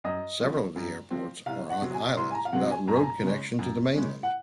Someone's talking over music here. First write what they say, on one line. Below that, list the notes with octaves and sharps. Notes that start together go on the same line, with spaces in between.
Several of the airports are on islands without road connection to the mainland.
F#2 D#5
F3 C4
F#2
F3 C4
C2 F5
F#5
C3 F#3 C4
G#5
C2 C6
G#5
A#5
F5
C3 F#3 C4 F#5
G#5
F#2 A#5
G#5
A#5
C#3 G#3 C#4
F#2
C#3 G#3 C#4
F#5